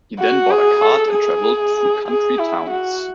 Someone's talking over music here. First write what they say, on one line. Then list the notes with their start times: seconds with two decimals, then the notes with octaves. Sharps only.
He then bought a cart and travelled through country towns.
0.19 F#4
0.51 G#4
0.81 A4
1.14 G#4
2.08 G#4
2.39 E4
2.70 F#4